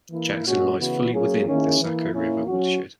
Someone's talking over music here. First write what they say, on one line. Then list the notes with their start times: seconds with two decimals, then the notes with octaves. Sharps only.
Jackson lies fully within the Saco River watershed.
0.10 E3 A#3 E4
0.44 A#2 G#3 C#4 F#4
0.78 C#3 E3 B3 F#4
1.12 F#3 A#3 C#4 G#4
1.46 D#3 A#3 C#4 E4 G#4
1.79 E3 A#3 E4
2.13 A#2 A#3 C#4 E4
2.47 F#3 C#4 F#4